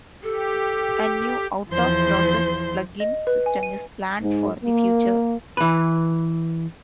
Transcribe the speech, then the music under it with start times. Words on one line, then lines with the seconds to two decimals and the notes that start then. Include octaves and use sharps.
A new, out-of-process plugin system is planned for the future.
0.23 G4 A4
1.70 E2 F3 E4 C5 C6
3.00 D#5
3.27 B4
3.46 G#5
3.63 D#7
4.22 G#2
4.64 A#3
5.57 E3 B4